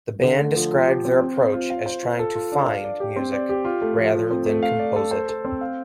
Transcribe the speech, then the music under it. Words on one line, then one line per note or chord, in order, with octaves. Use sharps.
The band described their approach as trying to "find" music rather than "compose" it.
D3
A3
F3
F3
G4
C4
C4
C5
F4
F5
C5
F4
A4
F4
D4
F5
D5
G4
C4
D5
G4
F4
A3
F3
F3
C4
A3
F5
D5
A4
C5
A4
C4
F5